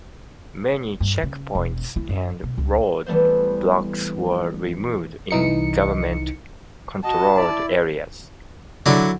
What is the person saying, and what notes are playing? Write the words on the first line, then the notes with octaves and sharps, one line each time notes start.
Many checkpoints and road blocks were removed in government controlled areas.
G2
C#3
E1
E4
F#2
B2
C#2
E3 G3 A3 B3 C5
C2 E3 D#4 C#7
F#4 D#5 A5
E4 D5
D3 F#3 E4 A4 D5